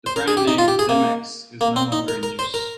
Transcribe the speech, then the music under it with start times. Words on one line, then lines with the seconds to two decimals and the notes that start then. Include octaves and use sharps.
The brand name "Zemmix" is no longer in use.
0.06 C5
0.16 A#4
0.28 G#4
0.37 G4
0.48 D#4
0.58 F4
0.68 G4
0.79 G#4
0.89 A#3
1.61 A#3
1.76 C4
1.92 D#4
2.08 A#4
2.23 A#4
2.39 C5
2.54 A#4